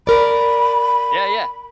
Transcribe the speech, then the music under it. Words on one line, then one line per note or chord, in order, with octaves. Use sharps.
Yeah, yeah.
A#4 D5 B5